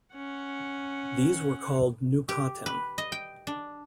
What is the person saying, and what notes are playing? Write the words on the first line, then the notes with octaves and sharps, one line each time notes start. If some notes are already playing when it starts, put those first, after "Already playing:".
These were called "nukatem".
C#4 F#5
G4
B4
D#5
G5
D4